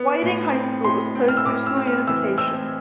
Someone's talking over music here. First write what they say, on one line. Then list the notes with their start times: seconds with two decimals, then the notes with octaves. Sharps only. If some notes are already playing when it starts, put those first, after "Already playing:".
Whiting High School was closed through school unification.
Already playing: B3
0.23 A2
0.53 C4
0.84 A2 C6
1.15 C4
1.28 F6
1.37 E6
1.46 A2 D6
1.66 E6
1.76 C4
1.87 F6
2.08 E3 E6
2.38 C4 E6